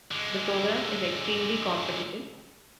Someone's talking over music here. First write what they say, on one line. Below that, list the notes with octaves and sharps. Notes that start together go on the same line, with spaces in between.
The program is extremely competitive.
D3 G#3